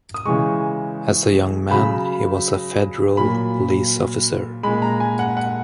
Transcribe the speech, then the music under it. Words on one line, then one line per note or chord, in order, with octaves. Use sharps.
As a young man he was a federal police officer.
D#6
C#3 E3 G#3 C#6
C#3 F#3 B5
A#2 F#3 B5
A#2 G#3 B5
A#5
G#5
F#5
F#5